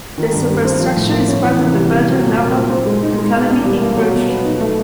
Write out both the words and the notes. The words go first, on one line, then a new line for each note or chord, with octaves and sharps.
The superstructure is part of the Belgian Naval Academy in Brugge.
D#3
G2
G3
C4
F3
A2
A#3
C#4
E3
C3
G3
C3
F#3
A#2
A#3
A#2
C4
G#3
D#4
G#3
B2
E2
G3
A#3
F#3
B2
B3
D#4
A3